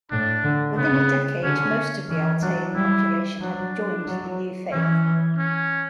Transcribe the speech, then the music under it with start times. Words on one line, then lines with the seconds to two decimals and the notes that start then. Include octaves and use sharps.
Within a decade, most of the Altaian population had joined the new faith.
0.11 A2 D4
0.44 D3
0.77 C#3 B3
1.44 D3 C#4
2.09 E3 C#4
2.41 F#3 D4
2.75 G3 E4
3.40 F#3 D4
4.07 F#3
4.72 E3 C#4
5.38 C#4